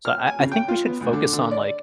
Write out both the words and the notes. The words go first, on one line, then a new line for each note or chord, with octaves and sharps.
So I I think we should focus on, like
F6
G#5
C#3
G5
F4
B3
D2
D3
D3
D5